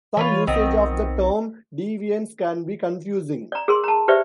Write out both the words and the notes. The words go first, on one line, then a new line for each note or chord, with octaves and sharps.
Some usage of the term "deviance" can be confusing.
E3 F4 B4 C#5
B1 D#3 B3 C4
D5 A#5
G#4 A#4 C6
A5 A#5
G4 B4 C5 D5 E5